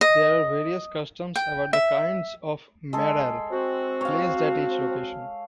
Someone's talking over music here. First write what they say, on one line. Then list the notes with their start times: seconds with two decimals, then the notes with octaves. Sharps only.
There are various customs about the kinds of "maror" placed at each location.
0.01 D#5
1.36 G5
1.73 E5
2.93 G#3 A4
3.51 C4 F#4
4.01 C#5 F5